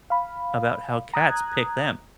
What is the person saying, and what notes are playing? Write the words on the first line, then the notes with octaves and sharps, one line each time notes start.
about how cats pick them.
F5 B5
A#5 D#6 F#6 G#6